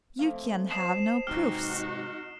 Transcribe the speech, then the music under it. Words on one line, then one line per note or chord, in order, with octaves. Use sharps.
You can have no proofs.
A3 C4 F5
C5 D#5 A5 D#6 C7 E7
G#2 C3 D#4 F#4 G4 F6